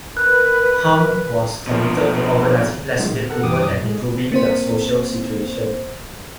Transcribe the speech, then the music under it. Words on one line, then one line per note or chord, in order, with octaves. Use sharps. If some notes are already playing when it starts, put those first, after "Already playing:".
Hahm was committed to organising lesbian women and improving their social situation.
A#4 B4 F#6
B2 F3
C#3 F3 F#3 G#3 A#3 D#4
A2
A4 A#4 F#5
G2 E3 G4 D6 D#6
F#2
G#3
A#3 C4 C5